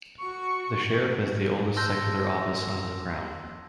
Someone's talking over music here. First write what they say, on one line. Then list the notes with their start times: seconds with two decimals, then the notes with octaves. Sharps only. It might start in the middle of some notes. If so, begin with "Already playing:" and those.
The Sheriff is the oldest secular office under the Crown.
0.19 F#4 C#6
1.77 A5 C6 E6 F#6 G6 A#6